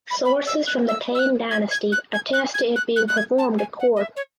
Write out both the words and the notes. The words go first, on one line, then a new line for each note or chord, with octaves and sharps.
Sources from the Tang dynasty attest to it being performed at court.
B5
B5
E6
F#6
E6
E6
F#6
G#6
G#6
F#6
G#6
F#6
G#6
F#6
F#6
F#6
G#6
A5
G#5
F#5
D#5
E5
C#5